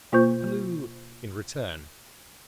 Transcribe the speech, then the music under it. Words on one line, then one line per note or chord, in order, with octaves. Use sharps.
Halloo!' in return.
B2 A#3 F4 C5 C#6 G6